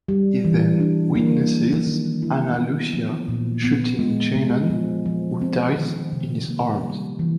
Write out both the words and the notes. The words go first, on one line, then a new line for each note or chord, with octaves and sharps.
He then witnesses Ana Lucia shooting Shannon, who dies in his arms.
G3
E3
D4
A#3
F#3
D#3
E4
B3
F3
A#2
B3
G#3
G#3
F3
F3
C4
D#3
C3
A#3
G3
E3